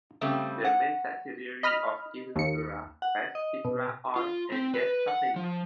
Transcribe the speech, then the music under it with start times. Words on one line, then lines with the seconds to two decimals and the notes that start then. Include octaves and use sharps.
The main subsidiary of Itera was Itera Oil and Gas Company.
0.21 C#3 G3 A3 C4
0.64 F#5
1.63 D#5 B5 F6
2.36 D#2 C#7
3.02 F#5
3.35 D#5
3.65 B2
4.16 F4
4.52 C4
4.74 B4
5.08 F#5
5.36 F3